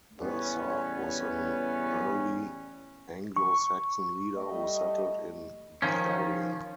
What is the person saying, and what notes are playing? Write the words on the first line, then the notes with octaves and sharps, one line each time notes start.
Bersa was an early Anglo-Saxon leader who settled in the area.
E2 A2 G3 B3 C#4
C#6
G3 A3 D#5
D#3 F3 C#4